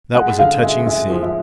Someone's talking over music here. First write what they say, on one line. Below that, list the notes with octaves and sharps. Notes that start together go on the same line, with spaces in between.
That was a touching scene.
G#3 F#5
D3 F5
G#3 E5
G#3 E5
F3
E5